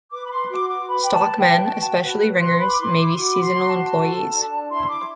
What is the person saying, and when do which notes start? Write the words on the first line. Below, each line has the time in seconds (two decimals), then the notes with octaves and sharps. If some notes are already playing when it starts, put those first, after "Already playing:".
Stockmen, especially ringers, may be seasonal employees.
0.11 B4 D6
0.26 B5
0.31 C6
0.49 F#4 D6
0.69 D6
0.88 B4 B5
1.02 G5
1.13 A5
1.26 B4
1.39 G5
1.64 F#4 A5
1.72 G5
1.79 A5
2.02 B4
2.41 B4 C6
2.60 B5
2.69 D6
2.79 E4 C6
2.97 D6
3.16 F#4 D6
3.34 B5
3.43 C6
3.55 F#4
3.68 A5
3.93 A4
4.32 D4
4.69 E4 C6
4.88 D6